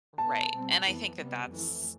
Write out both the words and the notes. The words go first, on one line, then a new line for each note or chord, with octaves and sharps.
Right, and I think that that's
B2 B3 A5
B2 G3 C4
F2 E3 B3
C3 G3 B3
F2 E3 A3